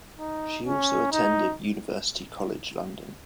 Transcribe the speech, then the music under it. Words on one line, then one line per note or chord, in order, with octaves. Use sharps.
She also attended University College London.
D#4
C#4
D#4